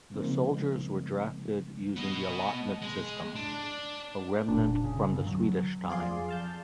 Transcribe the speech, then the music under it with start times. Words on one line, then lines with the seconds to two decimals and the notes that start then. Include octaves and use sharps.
The soldiers were drafted using the allotment system, a remnant from the Swedish time.
0.14 C#3 F3 G#3 A#3 C4 D#4
1.97 B3 D#5
2.82 G#3
3.36 D4
4.49 F1 A#2 D4
4.84 C#3
5.11 G2 D3
5.26 F#3
5.88 F2 F4 G#4 D5 C6
6.29 F5 A5 G6